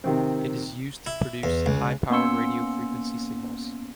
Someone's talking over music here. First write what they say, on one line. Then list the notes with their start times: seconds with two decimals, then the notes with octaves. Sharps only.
It is used to produce high-power radio frequency signals.
0.04 C3 D#3 C4
1.06 E4
1.43 E2
1.66 C#2
2.10 A#3 B3 C#4 C6 E6 C#7